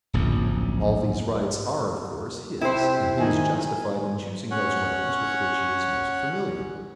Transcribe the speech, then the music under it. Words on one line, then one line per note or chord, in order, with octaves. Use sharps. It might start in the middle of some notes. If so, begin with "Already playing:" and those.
All these rights are of course his; and he is justified in choosing those weapons with which he is most familiar.
D1 A#1 F#2
C3 E4 C5 E5 G5
D#3 G#5
C#4 C#5 F#5